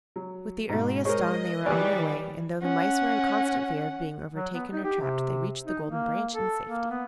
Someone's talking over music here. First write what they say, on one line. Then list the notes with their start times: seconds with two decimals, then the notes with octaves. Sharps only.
With the earliest dawn they were on their way, and though the Mice were in constant fear of being overtaken or trapped, they reached the Golden Branch in safety.
0.16 F#3
0.69 G#2 B2
1.05 G#3 A#4 C5 C#5 D#5
1.66 D#3 E3 G3 B4 C#5 D5 G5 G#5
2.62 C#4 F#5
4.35 F#3
4.54 B3
4.72 D#4
4.84 G4
5.00 C3
5.66 D#4
5.88 A#3
6.34 A4
6.68 A#3
6.91 B3